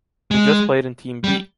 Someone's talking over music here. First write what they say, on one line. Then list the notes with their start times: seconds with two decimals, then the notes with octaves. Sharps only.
He just played in team B.
0.31 G#3
1.24 G3